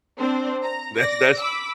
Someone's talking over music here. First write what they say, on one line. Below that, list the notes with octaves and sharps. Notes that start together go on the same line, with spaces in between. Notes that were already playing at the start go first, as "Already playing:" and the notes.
That's, that's
C4 D4 C5
A#5
D5 A#6
B5 D6 E6